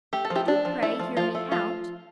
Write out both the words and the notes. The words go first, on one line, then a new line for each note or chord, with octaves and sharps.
Do pray hear me out.
A3 G4
A4
F3
E4 G4
D4
F3
A3 E4
F3
F3 F4
A3
F3 F4